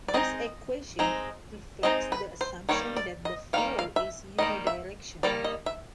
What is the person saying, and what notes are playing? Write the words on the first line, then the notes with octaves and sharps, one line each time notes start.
This equation reflects the assumption that the flow is "uni-directional".
D5
G#3 C4 D#4 D#5
G#3 C4 D#4
G#3 C4 D#4 D#5
B4
C5
D#3 G3 A#3 C#5
D5
D#5
D#3 G3 A#3 F5
F5
E5
D#3 G3 A#3 D#5
E5
D#3 G3 A#3 D5
D#5
E5